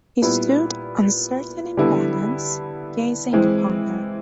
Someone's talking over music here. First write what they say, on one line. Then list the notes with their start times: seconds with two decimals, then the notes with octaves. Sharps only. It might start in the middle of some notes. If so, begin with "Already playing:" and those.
He stood, uncertain in balance, gazing upon her.
0.22 A#2 G3 B3 E4
1.77 D3 G3 B3 E4
3.33 E3 G#3 C4